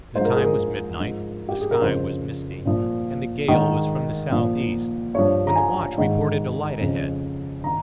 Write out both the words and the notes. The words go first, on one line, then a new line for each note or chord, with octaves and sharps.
The time was midnight, the sky was misty, and the gale was from the south-east, when the watch reported a light ahead.
G#2 F3 C5
A#4
G#4
A#4
G#2 F3
G4
G#4
A#4
F2 C#3 F3 C5
A#2 F3
G#2 D#3
A#2 F3
G2 F3 C#5
A#5
G#5
G#2 D#3
F2 C#3 F3
D#3 A#5